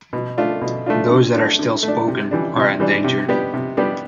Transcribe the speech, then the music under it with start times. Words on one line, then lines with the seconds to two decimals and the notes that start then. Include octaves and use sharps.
Those that are still spoken are endangered.
0.13 B2
0.38 A3 D4 F4
0.61 B2
0.86 A3 D4 F4
1.10 D3
1.35 A3 D4
1.59 D3
1.83 A3
1.88 D4
2.08 C3
2.31 E3 G3 D4
2.56 C3
2.80 E3 G3 D4
3.04 C3
3.28 G3 B3 D4 G4
3.54 C3
3.77 G3 B3 D4 G4